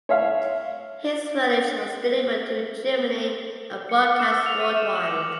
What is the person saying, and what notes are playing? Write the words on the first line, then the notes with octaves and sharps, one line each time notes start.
His footage was delivered to Germany and broadcast worldwide.
C#5 E5 F5
C#7
F6
D6
E6
F7
D#7
E7
F#7
D6
F#7